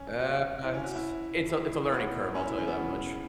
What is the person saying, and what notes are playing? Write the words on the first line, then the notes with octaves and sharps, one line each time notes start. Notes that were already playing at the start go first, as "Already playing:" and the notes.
Uh, it's it's a it's a learning curve, I'll tell you that much.
Already playing: C#4
F#4
E4
C#4
F#4
E4
E4
B3
C#4
E4
C#4
B3
C#3